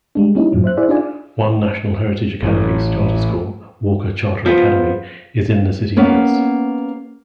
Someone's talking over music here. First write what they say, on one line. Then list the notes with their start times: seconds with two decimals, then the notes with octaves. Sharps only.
One National Heritage Academies charter school, Walker Charter Academy, is in the city limits.
0.15 G3 G#3 D4
0.35 G3 A#3 C#4 D#4 E4
0.52 F#2 A2 F3 F#3
0.64 C5 E5 F#6
0.77 E4 G#4 C5 D5 E5
0.89 D4 D#4 F4 D5 G#5
2.43 A1 A2
4.46 F3 B3 F4
5.97 A#3 B3 C#4